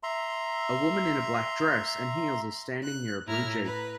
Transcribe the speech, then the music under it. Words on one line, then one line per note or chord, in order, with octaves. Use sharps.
A woman in a black dress and heels is standing near a blue Jeep.
E5 A#5 C6
F#6
A2 E4 A#5 F6
B4